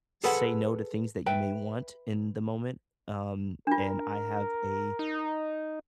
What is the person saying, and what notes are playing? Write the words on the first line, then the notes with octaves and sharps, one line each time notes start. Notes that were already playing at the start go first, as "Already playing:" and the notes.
say no to things that you may want in the moment, um, and I have a,
G#4 A4 B4 C5 F#5
B4 E5 G5
D4 F4 A#4
D#4